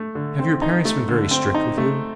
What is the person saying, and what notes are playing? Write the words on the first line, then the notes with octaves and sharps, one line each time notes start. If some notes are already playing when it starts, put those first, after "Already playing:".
"Have your parents been very strict with you?"
Already playing: A3
D3
C4
D#4
A3
D3
C4
D#4
A3